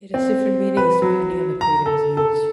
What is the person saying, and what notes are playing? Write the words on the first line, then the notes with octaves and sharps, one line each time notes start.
It has different meanings depending on the period it was used.
C4
B4
F#3
A#5
A4
A4